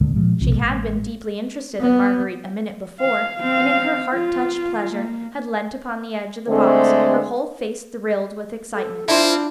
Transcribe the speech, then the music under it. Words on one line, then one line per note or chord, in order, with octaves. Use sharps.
She had been deeply interested in Marguerite a minute before, and, in her heart-touched pleasure, had leant upon the edge of the box, her whole face thrilled with excitement.
D#1 D3 G#3 A#3
A#2 F3 G#3
B1 C3 F3
A1 G#3 A#3
B3
F5
C4 F5
F4
A#3
D3 G#3 A3 C4
A4
C4 D4 E4 F4 C5